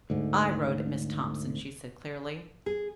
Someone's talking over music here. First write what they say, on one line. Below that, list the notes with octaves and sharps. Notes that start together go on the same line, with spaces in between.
"I wrote it, Miss Thompson," she said clearly.
D2 G#2
G#4